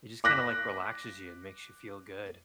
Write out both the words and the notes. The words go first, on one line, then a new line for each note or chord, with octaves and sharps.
it just kinda like relaxes you and makes you feel good.
D6 F#6 A#6 B6